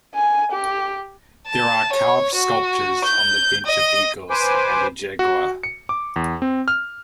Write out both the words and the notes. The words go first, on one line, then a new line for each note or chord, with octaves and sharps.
There are carved sculptures on the bench of eagles and a jaguar.
G#5
G4
A5
C#5
F#4
G6
D#5
B4 C5 G#5 D6
F#4
C#7
D6
E2
C4
F6